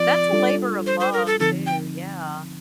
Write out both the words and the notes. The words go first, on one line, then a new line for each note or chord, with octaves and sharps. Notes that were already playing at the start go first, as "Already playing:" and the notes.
That's a labor of love, too, yeah.
Already playing: F3 C4 F4 D5
G3 D4 F4 A4
C5
C5
A#4
A4
D3 F3 C4 D#4 A4
G5